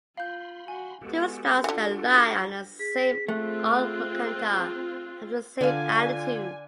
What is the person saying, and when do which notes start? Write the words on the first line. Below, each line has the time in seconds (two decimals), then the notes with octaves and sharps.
Two stars that lie on the same almucantar have the same altitude.
0.17 F4 F5 B5 C6 G6
0.68 F#4 G#5
1.02 G#3 B3 F#4 G4 A4
1.64 D3 E3 D4 F4 F#5
2.12 G#4 A#6
2.79 G#4 B6
3.28 A3 C4 F4 F#6
5.61 D3 F4 D5 F5 G#5